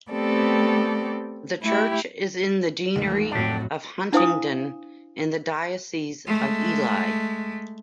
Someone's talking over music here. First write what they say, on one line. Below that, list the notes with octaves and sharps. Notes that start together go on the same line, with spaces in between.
The church is in the deanery of Huntingdon in the diocese of Ely.
A3 B3 C4 G4 A4 D5
A3 E4 G4
D#2 G#2 E3 A3
F2 A2 F#3 D4 F#4 G4
D4 E4 C5 F5 G#5 D#6
G#3 A3